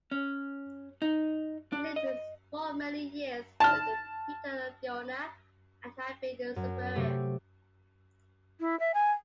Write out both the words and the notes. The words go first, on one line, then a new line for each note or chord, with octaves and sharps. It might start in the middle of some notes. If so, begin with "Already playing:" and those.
He lived for many years with Peter of Verona and had been his superior.
C#4
D#4
D4
D#5
A5 F6
F#2
C3 F#3 A3 G4
E4
E5
G#5